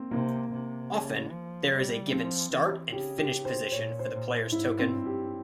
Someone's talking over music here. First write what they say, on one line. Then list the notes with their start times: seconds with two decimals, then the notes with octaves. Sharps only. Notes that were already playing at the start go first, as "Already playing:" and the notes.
Often there is a given start and finish position for the player's token.
Already playing: A#3 C4
0.11 C3 A#3
0.51 C3
0.92 C#3
1.32 F3
1.71 G3
2.12 F3 C4
2.51 E3
2.92 C#3 G4
3.18 G4
3.32 C#3
3.45 C5
3.72 A#2 C#5
3.99 C5
4.12 A#2
4.52 G#2 E4
4.79 C4
4.93 G2
5.06 G4